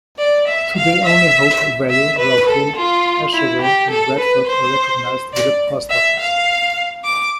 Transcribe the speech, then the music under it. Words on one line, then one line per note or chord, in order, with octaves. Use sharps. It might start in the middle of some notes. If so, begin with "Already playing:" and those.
Today only Hope Valley, Rockville, Ashaway, and Bradford are recognized with a post office.
D5
E5
F5
E5
E5
B4
A4
F4
E4
G4
A4
B4
C5
D5
E5
F5
D6